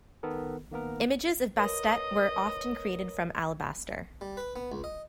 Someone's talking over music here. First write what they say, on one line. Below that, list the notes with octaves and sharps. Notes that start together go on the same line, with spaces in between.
Images of Bastet were often created from alabaster.
D#3 B3 A4 A#4
D#3 A#3 B3 A#4
A#4 B4 C#5 D#5
G3
B4
B3
C#2
D#5